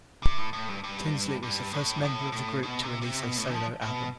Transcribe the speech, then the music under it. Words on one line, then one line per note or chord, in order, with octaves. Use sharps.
Tinsley was the first member of the group to release a solo album.
C3
A2
A2
G2
G2
G2
A2
G2
A2
A2
B2
C3
C3
B2
A2
F3
B2